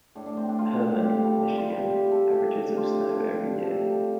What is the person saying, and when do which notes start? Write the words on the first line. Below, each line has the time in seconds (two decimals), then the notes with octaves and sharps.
Herman, Michigan, averages of snow every year.
0.15 A2 D4
0.26 D4
0.37 A3 C4
0.49 D4
0.58 A2 F4
0.81 A3
1.02 C3 G4
1.24 G3 A4
1.46 C3 G4
1.57 F4
1.67 G3 G4
1.89 C3 G4
2.11 A3 A4
2.32 C3 G4
2.55 A3 D4
2.77 C3 F4
2.98 F3 A3
3.19 C3
3.42 F3 A3
3.63 C3 A4
3.85 G3